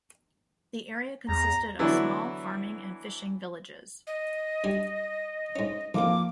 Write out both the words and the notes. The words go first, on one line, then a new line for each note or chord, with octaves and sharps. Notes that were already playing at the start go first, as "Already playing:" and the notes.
The area consisted of small farming and fishing villages.
E2 A#5
D3 E3 F#3 B3 D4 E4
D#5
G3 D4 G#5
G#2 C#4
F2 G#2 F3 A#3 F5 D6